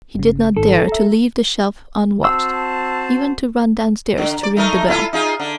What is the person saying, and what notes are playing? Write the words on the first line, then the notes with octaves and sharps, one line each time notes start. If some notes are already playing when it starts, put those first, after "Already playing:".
He did not dare to leave the shelf unwatched, even to run downstairs to ring the bell.
G1 C#3
G#1 G#2 D#3 A4
E5 A#5
C4 F#4 A5 E6
D3
D5
A3 D#4 A#4
E4 F4 A4
D#4 F4 G#4
D3